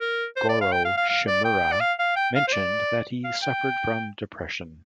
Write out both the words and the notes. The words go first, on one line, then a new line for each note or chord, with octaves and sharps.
Goro Shimura mentioned that he suffered from depression.
A#4
C5
D5
F5
G5
F5
F5
F5
D5
G5
D5
F5
F5
G5
F5
C5
D5
F5
G5